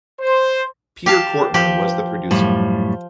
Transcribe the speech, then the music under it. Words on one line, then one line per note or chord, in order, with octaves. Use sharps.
Peter Kortner was the producer.
C5
G4 F5 A5
F3 G4
F#2 A2 F3 G3